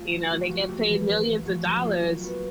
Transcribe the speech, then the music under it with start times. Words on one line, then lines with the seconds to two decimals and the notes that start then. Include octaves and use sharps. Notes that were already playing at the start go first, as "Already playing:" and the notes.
you know, they get paid millions of dollars
Already playing: A3 F4
0.11 F#3
0.30 A3 F#4
0.40 G4
0.49 F3 F#4
0.59 F#4
0.68 A3 G4
0.88 E3
1.08 A#3
1.27 F3
1.46 A3 F#4
1.65 F#3
1.85 A#3 F4
2.04 F#3
2.23 B3 F#4